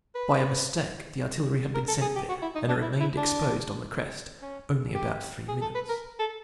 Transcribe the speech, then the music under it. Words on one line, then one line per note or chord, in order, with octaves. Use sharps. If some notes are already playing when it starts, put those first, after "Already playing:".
By a mistake, the artillery had been sent there, and it remained exposed on the crest only about three minutes.
B4
A#4
A4
G#4
G4
F#4
E4
D#4
D4
E4
E4
D4
C#4
G4
G#4
A4
B4
A#4
A4